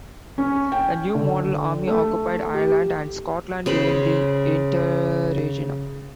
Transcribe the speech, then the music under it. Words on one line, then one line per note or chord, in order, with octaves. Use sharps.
The New Model Army occupied Ireland and Scotland during the Interregnum.
C#4
G5
D3
A3
G4
C#3 C5 B5